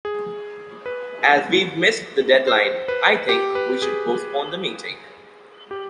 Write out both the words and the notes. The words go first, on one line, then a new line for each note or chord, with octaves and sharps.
As we've missed the deadline, I think we should postpone the meeting.
G#4
B4
C5
B4
G4
B4
G#4
G4